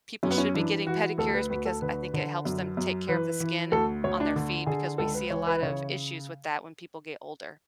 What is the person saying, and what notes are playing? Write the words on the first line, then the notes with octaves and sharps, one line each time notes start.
people should be getting pedicures because I think it helps them take care of the skin on their feet, because we see a lot of issues with that when people get older.
F#2 C#4
B3
C#4
E3 D4
E3 F#4
D2 A4
B4
D2 B4
A4
D3 B4
D3
F#2
F#2
E3 B4
E3
D2 A4
D2 C#5
D4
D3
D3 G#4
C#2 A4
B4
E3 C#5
B4
C#3 C#5